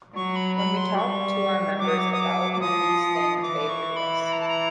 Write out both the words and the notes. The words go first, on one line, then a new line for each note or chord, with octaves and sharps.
When we talk to our members about out these things they agree with us.
F#3 C#6
B5
B5
C6
G3 C#6
F#3 D6
D#6
D6
D#6
D6
D6
F3 D#6
E3 D6
C#6
B5
B5
A#5
A5
A#5